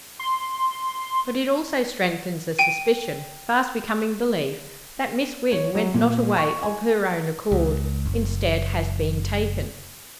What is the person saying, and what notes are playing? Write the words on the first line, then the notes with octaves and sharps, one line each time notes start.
But it also strengthens a suspicion, fast becoming belief, that Miss Wynn went not away of her own accord; instead, has been taken.
C6
G5 D#7
C#5
F#3
A#2
C#6
G#5
C#2
F#1